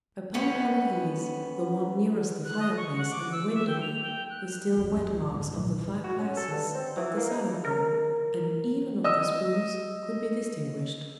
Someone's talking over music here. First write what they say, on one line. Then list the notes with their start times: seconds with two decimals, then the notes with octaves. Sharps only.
Upon one of these, the one nearest the fireplace and the window, the still wet marks of the five glasses, of the salad-bowl, and even of the spoons could be distinguished.
0.34 F2 B3 C#4 F#5
2.45 F#6
2.59 D#5
2.77 C#6
2.98 F#5
3.11 D6
3.32 E6
3.54 E5
3.67 G5
3.81 F7
4.02 G5
4.30 F#6
4.77 F#1
4.90 D2 C4
5.13 G#2
5.32 C2 G#2
5.52 A#2 F#3
6.04 F#4
6.19 C#4
6.37 A4
6.52 G2
6.75 C4
6.97 E3
7.17 A#3
7.30 D#4
7.65 A#4
9.04 D#5 E6